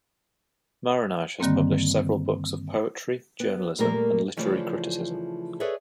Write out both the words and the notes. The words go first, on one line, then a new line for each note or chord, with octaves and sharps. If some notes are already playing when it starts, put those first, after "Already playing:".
Marinaj has published several books of poetry, journalism, and literary criticism.
G2 D3 D#3 G3 A#3 C4
B3
A#2 G3 A3 A#3 A#4
C#3 E3 F3 A3 D5
G#4 A4 B4 C#5 D5 E5